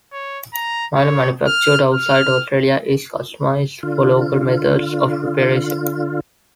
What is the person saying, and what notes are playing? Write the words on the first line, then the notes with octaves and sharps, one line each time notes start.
Milo manufactured outside Australia is customised for local methods of preparation.
C#5
A#5
C#5
F6
F6
D3 F4